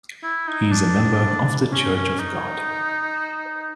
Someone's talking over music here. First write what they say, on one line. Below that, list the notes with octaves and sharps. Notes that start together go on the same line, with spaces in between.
He is a member of the Church of God.
E4
D#4
D4
C#4
C#4
D#4